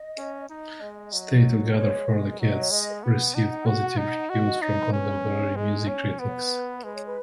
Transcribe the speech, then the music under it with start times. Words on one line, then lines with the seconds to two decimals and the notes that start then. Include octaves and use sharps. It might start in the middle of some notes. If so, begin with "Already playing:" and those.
"Stay Together for the Kids" received positive reviews from contemporary music critics.
Already playing: D#5
0.18 C#4
0.49 D#4 D#5
0.81 G#3
1.13 F#3
1.76 G#3 C#5
2.07 G#3 D#5
2.39 F#3 D#5
2.59 C#5
2.71 G#3 D#5
3.02 B3 F#5
3.35 D#4
3.66 F#4
3.97 D#4
4.29 F#4 D#5
4.45 D#5
4.61 D#4 C#5
4.77 B4
4.92 C#4 B4
5.25 C#5
5.56 G#3 D#5
5.88 C#4 C#5
6.19 B3 B4
6.28 C#5
6.36 B4
6.83 G#3 B4
6.94 C#5
7.06 B4